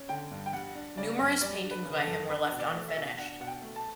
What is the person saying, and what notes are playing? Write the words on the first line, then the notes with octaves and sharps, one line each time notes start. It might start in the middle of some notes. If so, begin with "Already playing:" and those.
Numerous paintings by him were left unfinished.
Already playing: C#4
D3 G5
G2
G5
G3 F#5
D4
C#3 D5
F#2
G3 D5
D4
B4
C#3
B4
A4
F#2
D4 B4
B2
D5
A3
E5
B2
D4 F#5
B2 F#5
G5
A3
A5